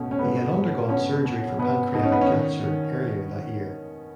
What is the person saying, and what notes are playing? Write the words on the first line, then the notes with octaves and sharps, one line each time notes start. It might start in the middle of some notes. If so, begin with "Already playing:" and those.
He had undergone surgery for pancreatic cancer earlier that year.
Already playing: B2 A3 C#4
C#4
A3 B3
A3
B2 C#4
B2
B2 B3
B2 D#4
C#4
B3
C#4
D#3
D#3